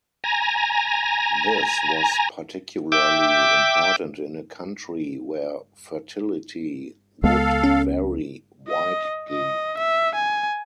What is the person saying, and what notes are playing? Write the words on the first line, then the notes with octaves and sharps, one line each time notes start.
This was particularly important in a country where fertility would vary widely.
G#5 A#5
E5 G5 D6
C#2 G#3 B3 A4 F5
C#4
D#5
D#5
E5
G#5